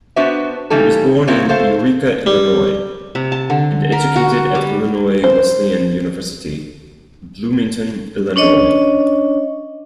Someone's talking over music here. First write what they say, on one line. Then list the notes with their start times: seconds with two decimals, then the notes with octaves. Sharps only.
He was born in Eureka, Illinois, and educated at Illinois Wesleyan University, Bloomington, Illinois.
0.16 B3 D4 F#4 B4 C5 E5
0.70 C#3 E3 G3 D#4 A4
1.27 C#3 F#3 A#3 C4 E4 F4
1.49 A3 A4 C5 F5
2.26 G3
3.15 C3
3.32 A5
3.50 D3
3.92 A#4
4.16 F#4
4.55 G3
5.24 C5
8.36 C#4 D4 C#5 D#5